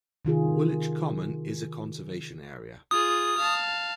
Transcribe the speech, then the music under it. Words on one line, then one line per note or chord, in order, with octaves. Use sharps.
Woolwich Common is a conservation area.
C3 D#3 F4 G#4
F4 G#4 D#6
F5 A5